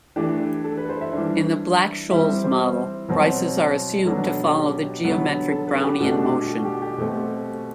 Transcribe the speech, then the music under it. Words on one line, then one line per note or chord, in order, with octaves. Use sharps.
In the Black-Scholes model, prices are assumed to follow the geometric Brownian motion.
E3 A3 D4 G4
A4
B4
C5
E5
E3 G3 D4
E3 G3 C4 E5
C5
B2 F#3 C4
B2 F#3 B3 D4 A4
G4
D3 F#3 B3
A4
B4
A4
G4
B2 A3 D4 F#4
G4
F#4
G4
G4
B2 A3 C4